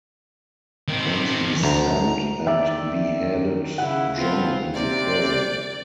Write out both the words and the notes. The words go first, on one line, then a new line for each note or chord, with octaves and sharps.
And he sent, and beheaded John in the prison.
D#3 C4
D2 A#5
D#3 D5 E5
C#3 E4 F#5
B3 C4 F4
C3 D5